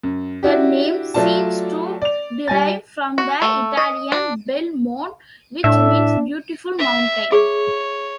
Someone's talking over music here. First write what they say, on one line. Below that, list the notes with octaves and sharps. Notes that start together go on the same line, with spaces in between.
The name seems to derive from the Italian "bel monte"," which means "beautiful mountain.
F#2
D4 E4 F#4 G4
F#3 A3 F4 D5 A5
D5 F7
G3 G#5 A6
F#4
A3
D#5
D4
A2 D4 E5
E5
G#4 C#5